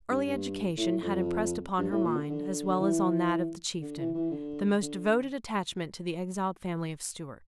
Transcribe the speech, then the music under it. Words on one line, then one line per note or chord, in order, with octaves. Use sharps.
Early education had impressed upon her mind, as well as on that of the Chieftain, the most devoted attachment to the exiled family of Stuart.
G2
G2
A2
F2
G2
A2
A#2
D3
D3
D3
E3
D3
E3
E3
D3
D3